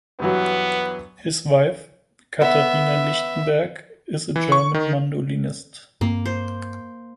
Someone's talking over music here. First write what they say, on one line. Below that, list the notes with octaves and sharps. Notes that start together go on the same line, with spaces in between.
His wife, Caterina Lichtenberg, is a German mandolinist.
G2 E3 F#3 B3
B3 E5
E3
C#6
D#3
G2 A#3 C4
C5